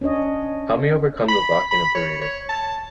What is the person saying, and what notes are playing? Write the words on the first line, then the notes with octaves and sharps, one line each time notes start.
Help me overcome the blocking of the reader.
C#4 D4 C#5 D#5
B5
B5
C#5
C#5
A5